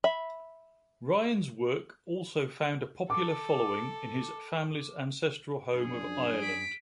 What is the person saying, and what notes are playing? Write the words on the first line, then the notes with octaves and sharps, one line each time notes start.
Ryan's work also found a popular following in his family's ancestral home of Ireland.
E5 B5
A4 D6
F#2 F3 D4 G#4
B6 D7